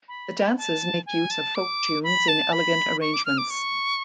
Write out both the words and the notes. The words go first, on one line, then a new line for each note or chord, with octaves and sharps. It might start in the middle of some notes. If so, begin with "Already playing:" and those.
The dances make use of folk tunes in elegant arrangements.
B5
A5
G#5
A5
D6
B5
A5
B5
C#6
D6
F6
D6
C#6